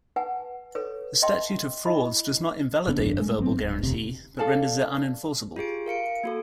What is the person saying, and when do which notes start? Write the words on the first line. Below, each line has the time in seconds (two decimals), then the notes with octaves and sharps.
The statute of frauds does not invalidate a verbal guarantee, but renders it unenforceable.
0.16 B4 F#5 G#5 A5
0.75 A4 B4 C#5
1.22 D#5 E5 G5 A5 C6
1.85 E4 D#5 B5
2.87 F#1 C#3 B3 D4
2.99 D#1 G#1 F#2 D4
3.21 G#3 A3
3.38 G#1 F#3 B3 C4
3.60 D1
3.83 E1 D2 C3
4.39 A4 D5 F5 A5
5.56 F4 G4 G#4 D7
5.86 A#4 F5 C#7 D7
6.24 A#3 F#4 A4